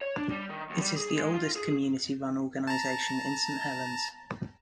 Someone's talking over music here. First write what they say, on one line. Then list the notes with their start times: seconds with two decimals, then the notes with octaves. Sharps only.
It is the oldest community run organisation in Saint Helens.
0.01 C#5
0.16 D4
0.31 G3
0.50 D#3
0.70 D#2
0.81 G3
0.96 G#4
1.17 G#3
1.33 F4
1.56 G#4
2.67 A5 A#5